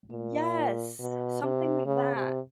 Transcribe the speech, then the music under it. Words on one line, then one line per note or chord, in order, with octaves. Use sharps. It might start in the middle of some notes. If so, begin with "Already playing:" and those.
Yes, something like that.
A#2
B2
C3
C#3
C3